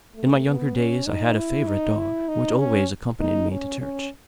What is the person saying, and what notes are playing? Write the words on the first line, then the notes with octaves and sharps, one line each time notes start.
In my younger days I had a favourite dog, which always accompanied me to church.
A3
B3
C#4
D#4
E4
D#4
E4
D#4
C#4
D#4
C#4
C#4